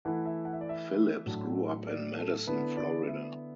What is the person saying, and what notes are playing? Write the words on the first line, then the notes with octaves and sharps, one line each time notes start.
Phillips grew up in Madison, Florida.
E3 A3 E4 F#5
E5
F#5
E5
D5
E5
A2 F#3 D4
D5
A4
D3 B3 E4 B4
D5
E5